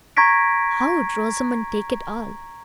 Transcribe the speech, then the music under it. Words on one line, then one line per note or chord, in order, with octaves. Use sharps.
How would Rosamond take it all?
A#5 C#6 G#6 A#6 B6 D7